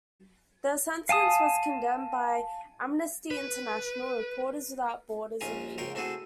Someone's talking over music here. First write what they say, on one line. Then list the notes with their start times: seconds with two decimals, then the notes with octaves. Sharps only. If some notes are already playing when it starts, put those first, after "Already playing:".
The sentence was condemned by Amnesty International, Reporters without Borders and media.
1.09 F5 G#5 A5 D#6
3.31 B4
5.41 A#1 D#2 C#4 F4 G#5 A#5
5.78 C#2 F4 A#4 C#5 G5 A#5
5.95 A3 C4 E4 F#4 G#4 A4